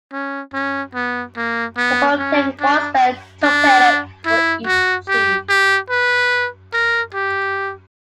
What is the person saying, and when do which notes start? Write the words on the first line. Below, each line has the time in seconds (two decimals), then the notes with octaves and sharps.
The boat carried one spare torpedo for each tube.
0.12 C#4
0.53 C#4
0.95 B3
1.36 A#3
1.77 B3
2.18 C#4
2.60 D4
3.43 D4
4.26 E4
4.66 F#4
5.08 G4
5.49 G4
5.90 B4
6.73 A#4
7.14 G4